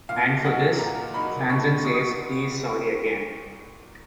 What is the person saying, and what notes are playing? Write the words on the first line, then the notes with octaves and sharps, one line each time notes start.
And for this, Franzen says he is sorry again.
A#2 F5
F#3 A#3 D#4 F#5
A#2 A#5
F#3 A#3 D#4 B5
A#2 C#6
F#3 A#3 D#4 C#6
D#6
C#6